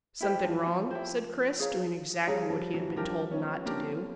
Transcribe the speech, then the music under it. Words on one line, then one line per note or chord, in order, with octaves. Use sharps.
"Something wrong?" said Chris, doing exactly what he had been told not to do.
E4 G4 C5
F3
F3
E4 G4 C5
G#4 C#5 F5 A#5
F3 G3 G#4 C#5 F5 A#5
F3 G3
E3 F#3
F#3
F3 G3 D4 G4 A#4
B3 C#4
A#3 C4 D4 G4 A#4